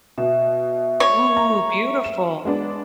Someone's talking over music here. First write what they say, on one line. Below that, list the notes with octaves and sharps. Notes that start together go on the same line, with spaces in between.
Ooh, beautiful!
B2 E5
C#5
A#5
E7
G#3 B3 D4